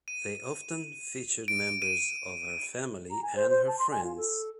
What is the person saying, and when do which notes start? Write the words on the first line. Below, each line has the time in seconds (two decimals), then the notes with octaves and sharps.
They often featured members of her family and her friends.
0.08 D#7
1.48 D7
1.82 D#7
3.10 A#5
3.22 G#5
3.35 C5
3.50 C5
3.67 A5
3.78 C6
3.91 G#5
4.03 F4
4.16 A4